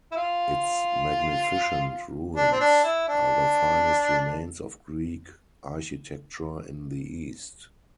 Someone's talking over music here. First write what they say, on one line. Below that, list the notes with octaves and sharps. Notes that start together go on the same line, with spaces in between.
Its magnificent ruins are the finest remains of Greek architecture in the East.
E4
F4
D4
C4
D4
E4
D4